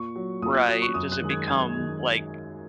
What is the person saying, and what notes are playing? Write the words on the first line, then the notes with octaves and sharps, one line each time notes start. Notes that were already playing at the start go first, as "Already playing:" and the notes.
Right, does it become, like,
Already playing: A#2 C#6
F#3
A#2 D#6
F#6
F#3 F#6
C#6
F#2 D#6
F#6
D#3 G#3
G#6
F#2 G#6
D#3 G#3